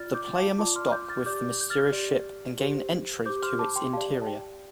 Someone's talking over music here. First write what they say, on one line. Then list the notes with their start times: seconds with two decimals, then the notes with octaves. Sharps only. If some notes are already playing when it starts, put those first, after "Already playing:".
The player must dock with the mysterious ship and gain entry to its interior.
Already playing: F4 D5 F6 A6
0.14 D6 G6
0.37 F5 A5
0.58 F4 D5 A5 D6
0.76 C6 F6
0.92 D6 G6
1.09 F6 A6
1.25 G4 D5 D6 G6
1.61 G6
1.70 F6 A6
1.92 G4 D5
2.59 G4 C5
3.26 G4 C5 D6 G6
3.42 C6 F6
3.59 A5 D6
3.76 G5 C6
3.93 G4 D5 F5 A5
4.22 A5
4.27 G5